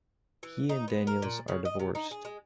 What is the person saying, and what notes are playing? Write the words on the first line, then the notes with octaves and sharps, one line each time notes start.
He and Daniels are divorced.
E3
D#4
B3
A#4
A#2
C#3
D#5
C3
D#4
G#4
G#3